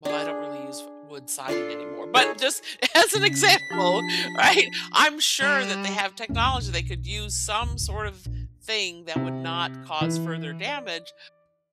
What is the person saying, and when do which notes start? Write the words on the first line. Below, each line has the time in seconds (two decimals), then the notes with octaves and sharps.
well, I don't really use f wood siding anymore, but just as an example, right, I'm sure that they have technology they could use some sort of thing that would not cause further damage,
0.05 D4 G#4
1.48 D4 F4 A4 C6
2.15 D#4 G#4 A4 C#5
3.15 C#3 B6
3.70 F3 D4 F4 G4 A5
5.42 G3
6.29 C#2 F#2 A3 C#4
6.61 B1
7.61 D1 G1 C#2
8.26 A#1
9.16 C3
10.01 E3
10.67 D5